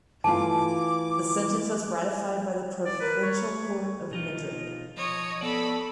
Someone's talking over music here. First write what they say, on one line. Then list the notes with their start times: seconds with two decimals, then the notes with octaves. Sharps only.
The sentence was ratified by the Provincial Court of Madrid.
0.24 E3 A3 F4 A5 D6
2.86 D5
3.00 A#4 B4
3.22 C#5
3.50 A3
4.11 B2 D#4 F4
4.97 F3 C#5 D#5
5.41 B3 A4 D5 B5